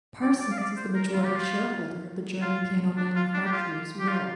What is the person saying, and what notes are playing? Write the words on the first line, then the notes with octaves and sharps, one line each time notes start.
Parsons is the majority shareholder of the German piano manufacturers Wilh.
D5
D5
F5
D5
C5
A#4
F4
G4
F4
F4
D4
F4
D4
G4
F4
G4
F4